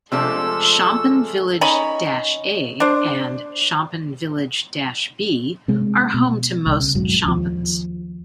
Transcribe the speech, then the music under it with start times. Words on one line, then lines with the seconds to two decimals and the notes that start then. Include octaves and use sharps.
Shompen Village-A and Shompen Village-B are home to most Shompens.
0.12 C3 F3 G#3 A3 D4 F4 A4 E6
1.61 C#4 D#4 C#5 B5
2.80 D4 C5
5.68 C3 G#3
6.14 B2
6.67 C2
6.80 C#3
6.95 E1 G#2 F#3
7.26 D#2 F3